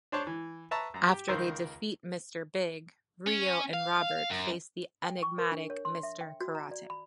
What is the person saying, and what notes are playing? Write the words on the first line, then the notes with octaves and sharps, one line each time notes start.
After they defeat Mr. Big, Ryo and Robert face the enigmatic Mr. Karate.
D4 C5 C#5 A5 C#6
E3
B4 E5 A5 A#5 C#6
F#2 A#5
G4
C#2 D#3 A#4 C5 E6
C#4
F5
F#2
G5
C#6
A#4
D4
C#5
C6
E5
G5
F#4
A#5
D5
B5